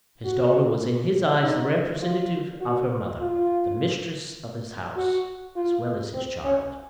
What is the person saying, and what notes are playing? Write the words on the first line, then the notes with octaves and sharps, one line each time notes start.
His daughter was in his eyes the representative of her mother: the mistress of his house, as well as his child.
F#4
D#4
F4
F#4
F4
F#4
F4
C4
C#4